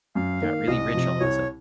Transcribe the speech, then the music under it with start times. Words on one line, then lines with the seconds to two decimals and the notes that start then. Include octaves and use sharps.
and got really rich all of a sudden.
0.15 F#2 F5
0.41 D#3 A#3
0.68 C2 D#5
0.94 C3 F3
1.20 C2 C#5